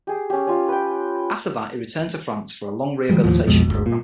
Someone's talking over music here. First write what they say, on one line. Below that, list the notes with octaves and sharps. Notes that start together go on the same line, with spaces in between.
After that he returned to France for a long rehabilitation programme.
G4 G#4
C#4 G4
C#4 F4
B4 G5
D#3 F3 G3 G#3
D#2 A2 F3
B1 F2 B2 G#3
G1 D2
A#2